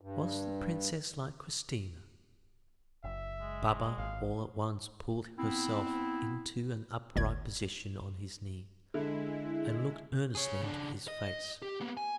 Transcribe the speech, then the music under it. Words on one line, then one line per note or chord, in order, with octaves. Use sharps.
"Was the princess like Christina?" Baba all at once pulled herself into an upright position on his knee, and looked earnestly into his face.
G2
F#1 E5
G#3
G#1 F5
B3 C4 E4
G1 D2 D5 G#6
D3 G#3 E4
G#4 C#5
C#3 D4
D#5
G4
A#3 B3
G#5